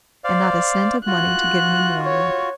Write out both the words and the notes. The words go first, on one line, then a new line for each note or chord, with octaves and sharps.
And not a cent of money to get any more with!
C5 D5 F5
F4 F#4 F#6
C#5